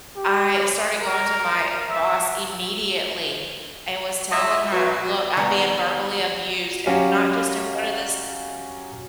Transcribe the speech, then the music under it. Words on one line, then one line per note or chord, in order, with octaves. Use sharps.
I started going to my boss immediately and was telling her, "Look, I'm being verbally abused and not just in front of this"
G4
A#4
E5
F4 C#5 D#5 E5
B2 F#3
D#3 B3 D5 F#5 G#5 A#5
F#3 C#4 G4 F5